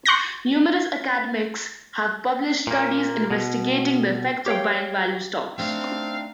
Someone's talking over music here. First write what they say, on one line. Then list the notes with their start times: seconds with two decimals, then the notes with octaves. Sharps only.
Numerous academics have published studies investigating the effects of buying value stocks.
0.06 C6 C#6 F#6 G6 A#6
2.67 A#2 A#3
3.30 B2
4.46 G4 C#5 F5 G5
5.58 A3 C4 D4 D#4 F5